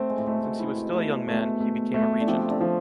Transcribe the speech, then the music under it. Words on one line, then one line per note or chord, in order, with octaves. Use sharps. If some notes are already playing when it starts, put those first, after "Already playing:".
Since he was still a young man, he became a regent.
Already playing: A3 C4
G#3
A2
B2 A3
B2
C3 E4
B2
B2 A3
A3
A3
A3
D3
C3 F3
D3
F3